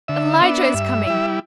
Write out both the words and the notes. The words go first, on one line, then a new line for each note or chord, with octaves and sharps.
Elijah is coming!
D3 E5
B3 D4
G2
G3 E4